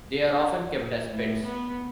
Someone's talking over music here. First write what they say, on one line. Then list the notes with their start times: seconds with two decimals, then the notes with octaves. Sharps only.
They are often kept as pets.
0.74 A#2
1.07 A2
1.44 B3